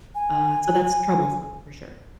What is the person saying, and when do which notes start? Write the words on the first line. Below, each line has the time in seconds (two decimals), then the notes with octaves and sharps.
uh, so that's troublesome for sure.
0.15 G#5